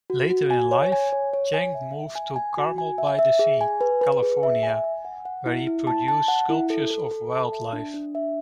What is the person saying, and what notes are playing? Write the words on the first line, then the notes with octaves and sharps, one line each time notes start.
Later in life, Chang moved to Carmel-by-the-Sea, California, where he produced sculptures of wildlife.
F#4
F#4
G#5
C#5
G#5
C#5
C#5
G#5
E5
E5
G#5
G#5
F#4
G#5
E5
E5
G#4
G#5
B4
B4
G#4
E5
G#5
G#5
F#5
F#5
E4
E4
A5
A5
F#5
E4
A4
A4
A4
A5
E5
D4
D4
E5